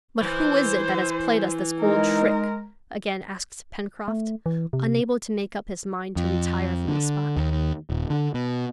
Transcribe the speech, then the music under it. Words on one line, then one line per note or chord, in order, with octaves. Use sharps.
"But who is it that has played us this cool trick?" again asked Pencroft, unable to make up his mind to retire from the spot.
E3 C5
G#3 D#4 A#4
A3
E3
C3
F2
D3
D#2
D#1
D3
B2